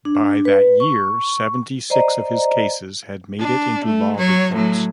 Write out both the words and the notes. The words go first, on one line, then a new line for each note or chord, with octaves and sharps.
By that year, seventy-six of his cases had made it into law reports.
D4
B4
C#6
C5 D5 D#5 A#5
D4
A3
F#3 C#5
A2 F#3